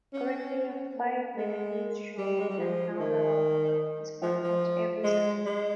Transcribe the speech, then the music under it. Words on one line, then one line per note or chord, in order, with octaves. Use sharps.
Currently a five-minute news show, An Nowodhow, is broadcast every Sunday.
C#4
A#3
G#3
G3
G#3
G3
F3
D#3
F3
F3
G#3
G#3